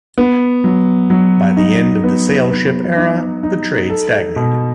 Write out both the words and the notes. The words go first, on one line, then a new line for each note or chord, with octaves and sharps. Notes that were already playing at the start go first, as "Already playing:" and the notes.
By the end of the sail ship era, the trade stagnated.
B3
F#3
F#3
D#4
B3
B3
D#4
D#4
A4
B2